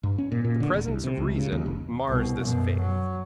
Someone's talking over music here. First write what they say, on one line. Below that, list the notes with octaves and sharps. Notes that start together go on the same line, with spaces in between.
The presence of Reason mars this faith.
G2
C#4
A#2
A#2
D3
D#1
C2
C3
C#2
C#3
D#2
F1
C2 B2
F#2 B2
F#3